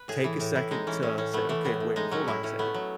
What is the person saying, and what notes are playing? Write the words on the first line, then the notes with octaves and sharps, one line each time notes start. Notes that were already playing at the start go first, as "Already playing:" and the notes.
take a second to say, "Okay. Wait. Hold on a second.
Already playing: B4
A2 G#4
E3
A2
A2 E4
G#3 D#4
E3 C#4
A2 C#4
A2 C#4
A3 B3
E3 A3
A2 B3
A2
G#3 D#4
F#3 C#4
A2 E4
A2 C#4
A3 B3
F#3